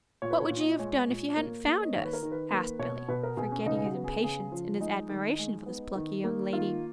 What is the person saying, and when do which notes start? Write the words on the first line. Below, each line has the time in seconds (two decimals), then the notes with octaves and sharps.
"What would you have done if you hadn't found us?" asked Billy, forgetting his impatience in his admiration for this plucky young lady.
0.22 A#2 C#5
0.31 B4
0.40 C#5
0.50 A#2
0.60 D#5
0.79 G#3 C#5
1.08 A#2
1.36 A#3
1.65 A#3
1.83 D#5
1.93 D#3 C#5
2.05 B4
2.13 A#4
2.23 D#3
2.32 B4
2.51 A#3 B4
2.79 B2 C#5
3.08 B2 B4
3.23 A#4
3.37 B2 G#4
3.52 C#4
3.66 C#3 D#4
3.77 G#4
3.85 F#4
3.95 B3
4.04 G#4
4.23 C#3 G#4
4.52 F3 F4
4.80 G#3 D#4
5.09 D#3
5.39 G#3
5.66 B3
5.96 D#3
6.24 A#3
6.53 D#3 F4